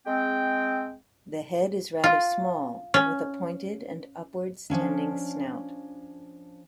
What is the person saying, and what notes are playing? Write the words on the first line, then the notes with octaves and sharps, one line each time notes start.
The head is rather small, with a pointed and upwards-tending snout.
G#3 C4 G5
F4
C#4
F3 A#3 C#4 D4